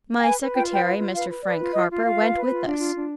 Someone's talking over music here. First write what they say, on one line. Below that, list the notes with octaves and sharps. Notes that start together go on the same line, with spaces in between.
My secretary, Mr. Frank Harper, went with us.
G5
B4 G#5
B4
F4 G5
B4 G5
F4 F5
F4
B4 F5
B4
B4 D5
F4
F4 D#5
F4
F4 F5
B4
B4
F4
D4
F4
D4